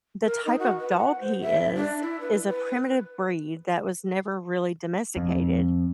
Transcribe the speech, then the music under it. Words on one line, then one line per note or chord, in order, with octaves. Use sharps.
the type of dog he is is a primitive breed that was never really domesticated,
A#4
D#4
F#4
B4
F#5
C5
E5
D4
E4
B4
B4
F2